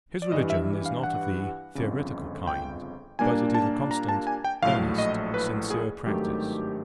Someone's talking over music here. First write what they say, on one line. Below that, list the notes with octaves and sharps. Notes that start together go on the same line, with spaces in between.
His religion is not of the theoretical kind, but it is a constant, earnest, sincere practice.
D5
G2 E3 G3 D#5
E5
F5
F#5
G1 F2 C#3
G5
A#2 G3 A#3 D4 G#5
A5
A#5
A5
G#5
G5
A#1 A2 F#3 A3 F5
D#5
B4
G#4
G#1 G2 D#3 F#3 A3 G4